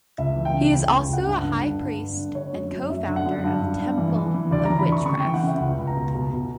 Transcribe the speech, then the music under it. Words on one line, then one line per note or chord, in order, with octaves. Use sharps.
He is also a high priest and co-founder of Temple of Witchcraft.
C#2 E5
E3
G5
C#3
C#2
C#3 G5
C#2 F#5
G2
D3
G2
G2
D3
D3
D3 C#5
F#2
F#2
F#2 E5
D3
F#5
F#2
G2
G2
G2
E3
E3
E3
D2 D5
E3 A#5
B5
D2 C#6
C#3 C#6
E3 G5
F#5
C#3 E5
C#2
C#2
A#5
B2
B2
B2